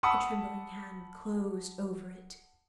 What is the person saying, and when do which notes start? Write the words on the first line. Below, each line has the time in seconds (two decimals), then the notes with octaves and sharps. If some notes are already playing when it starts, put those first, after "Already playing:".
Her trembling hand closed over it.
0.03 F#5 A5 B5 C#6 D#6 E6